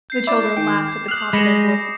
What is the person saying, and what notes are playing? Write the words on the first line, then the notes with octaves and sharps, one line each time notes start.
The children laughed at the top of their voices.
G6 C7
E4 D5 D6
D#3 G5 G6
D#6 F6 F#6 C7
G#3 B5 A#6 C#7 E7